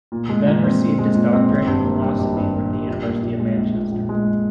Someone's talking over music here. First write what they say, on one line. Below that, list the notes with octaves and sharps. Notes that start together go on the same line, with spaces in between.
He then received his doctorate in Philosophy from the University of Manchester.
A#2
G#3
A#2
C4
A#2
G#3
A#2
C4
G#1
G2
A#3
G3
G#1
G2
A#3
G3
A#1
A#2
A#1
G#3
A#1
A#2
A#1
G#3